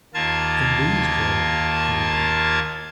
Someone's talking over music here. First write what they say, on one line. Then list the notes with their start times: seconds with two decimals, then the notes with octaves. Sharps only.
In these clothes,' he repeated.
0.14 D#2 A#3 F4 A5 G#6